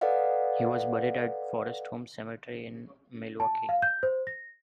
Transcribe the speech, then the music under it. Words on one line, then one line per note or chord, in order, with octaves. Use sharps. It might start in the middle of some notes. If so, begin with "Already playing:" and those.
He was buried at Forest Home Cemetery in Milwaukee.
A4 B4 D5 D#5 F5 F#5
A5
F5
G6
C5
A#6